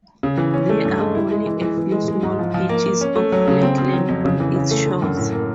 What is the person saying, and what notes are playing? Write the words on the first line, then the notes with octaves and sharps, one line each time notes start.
There are only a few small patches of flat land on its shores.
C#3
E3
C#4
A3
G2
G#3
E4
G#3
E3
E3
E3
G#3
G#3
G#2
F3
F3
A#3
A#3
C#4
A3
F#3
C#3
C4
C4
F#3
F2
C#3
E3
C#3
A3
D3
F#2
A2
A#3